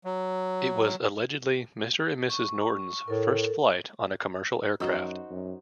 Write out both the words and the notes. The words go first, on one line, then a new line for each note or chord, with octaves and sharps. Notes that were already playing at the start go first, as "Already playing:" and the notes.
It was allegedly Mr. and Mrs. Norton's first flight on a commercial aircraft.
F#3
C#6
A2 A4 A#4
F#2 D#4 F#4 C5
F#2